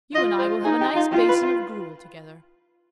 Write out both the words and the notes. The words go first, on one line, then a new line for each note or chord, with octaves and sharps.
You and I will have a nice basin of gruel together.
F4 D#5
C5
D#4 G#4
G4
F4
F4 G4
B4